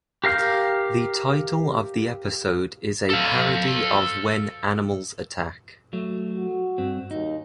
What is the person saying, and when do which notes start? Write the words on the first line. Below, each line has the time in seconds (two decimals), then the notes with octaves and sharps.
The title of the episode is a parody of When Animals Attack!
0.24 G4 A#4 F5 F6 G6
3.10 A4 F5
5.93 F#3 A3
6.37 F#4
6.78 G2 C4
7.11 D#2 D#4